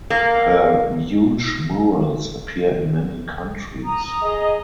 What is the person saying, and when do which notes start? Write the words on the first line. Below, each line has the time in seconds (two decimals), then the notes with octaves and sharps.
Her huge murals appear in many countries.
0.10 A#3
3.84 A#5 D#6
4.22 G#4 D#5